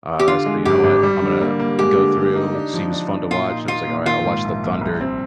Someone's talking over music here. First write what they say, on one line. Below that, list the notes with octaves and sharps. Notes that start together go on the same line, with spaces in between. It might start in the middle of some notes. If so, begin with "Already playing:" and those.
Uh, so you know what? I'm gonna go through, see who's fun to watch." And I was like, "Alright, I'll watch the Thunder."
G4
D3 F4
G#3
G#1 G4
G#1
G3
D3
A#3
A#3
G#3 G4
D3
D3
D#4
D4
F3
D4
D4
A#2 F4
D#4
A#3 F4
A#2
D#3 F4
G#2
A#1
A#1
C2
C4